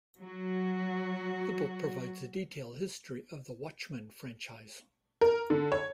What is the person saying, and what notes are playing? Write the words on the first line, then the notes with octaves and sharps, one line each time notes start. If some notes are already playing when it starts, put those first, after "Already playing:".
The book provides a detailed history of the Watchmen franchise.
F#3 F#4
A#4
D3
C#5